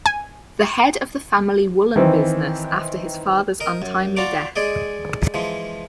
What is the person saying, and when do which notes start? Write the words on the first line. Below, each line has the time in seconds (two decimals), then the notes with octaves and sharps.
The head of the family woolen business after his father's untimely death.
0.06 G#5
1.96 D#3 E3 C4
3.60 A#4 D#5
3.82 F#2
4.17 F4 F#4 D5 A#5 D6
4.56 G#3 G#4 D5 D#5
5.34 E3 F3 G#3